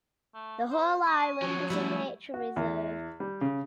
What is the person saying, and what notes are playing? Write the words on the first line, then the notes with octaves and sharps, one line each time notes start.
The whole island is a nature reserve.
A3
C5
G#3 C#6
F3 F#3 C#5
G3 A3 B3 E4
F#4
E2
G3
C#3